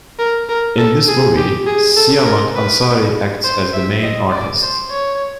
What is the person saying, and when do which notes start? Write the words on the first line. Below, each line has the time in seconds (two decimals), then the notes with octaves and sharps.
In this movie, Siamak Ansari acts as the main artist.
0.19 A#4
0.49 A#4
0.78 A4
1.08 G#4
1.37 G4
1.67 G#4
1.96 A4
2.25 A#4
2.55 B4
3.44 C5
3.74 E5
4.02 D#5
4.32 D5
4.62 C5
4.91 C#5